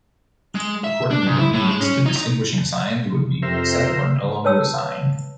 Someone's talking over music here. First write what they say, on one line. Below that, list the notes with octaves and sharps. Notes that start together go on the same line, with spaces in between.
According to the needs, the distinguishing signs would be set or no longer assigned.
G#3
E5
D4
G#2
E4
A2
G#3
C#4
D#4
F2 C3 A#4 C5 E5
B4 C#5 A5 E6